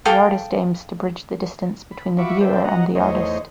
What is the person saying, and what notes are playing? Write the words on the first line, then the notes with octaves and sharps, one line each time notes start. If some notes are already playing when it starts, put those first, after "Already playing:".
The artist aims to bridge the distance between the viewer and the artist.
G#4 A4 F5 G5
B5
F4 F#4 E5 B5 C#6 D6
A4 B4 C5 D5 E5 G5
F#3 D#5 F#5 A#5
E2 A3 D#4 C5 C#5 D#5